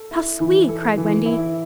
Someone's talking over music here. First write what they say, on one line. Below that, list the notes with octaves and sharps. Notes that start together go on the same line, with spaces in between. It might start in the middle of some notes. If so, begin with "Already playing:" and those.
"How sweet!" cried Wendy.
Already playing: A4
E4
E3
A4
E3
E4